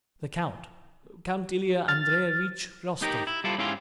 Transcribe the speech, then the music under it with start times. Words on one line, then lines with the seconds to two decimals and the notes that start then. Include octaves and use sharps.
"The count--Count Ilya Andreevich Rostov."
1.88 F6 A6
3.02 D#4 G4 A#4
3.27 E4
3.44 G3 E4 F4 A4
3.58 G#2 C#4 E4 G4 F5 C6